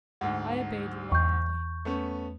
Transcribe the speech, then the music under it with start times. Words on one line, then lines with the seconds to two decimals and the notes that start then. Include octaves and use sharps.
I obeyed reluctantly.
0.21 D2 G#2 F#5
1.12 E2 C#6 G6
1.85 A3 B3 C#4